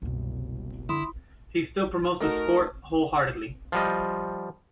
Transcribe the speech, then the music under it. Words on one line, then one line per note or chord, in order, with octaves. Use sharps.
He still promotes the sport wholeheartedly.
F#1 C2 B2
D3 E4 B5 C6 D#6
A3 D#4 F#4 A#4
F3 G3 D#5